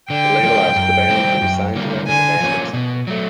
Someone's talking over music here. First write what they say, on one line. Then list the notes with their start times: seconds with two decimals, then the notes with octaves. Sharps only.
The label asked the band to re-sign to them and the band accepted.
0.10 D3 G5
0.43 F3 G#3 C#4
0.76 F#2
1.09 D#3 G3 C4
1.42 F#2
1.75 D3 G3 A#3
2.07 D3 G#5
2.40 F3 A#3 C#4
2.73 B2
3.07 F#3 A3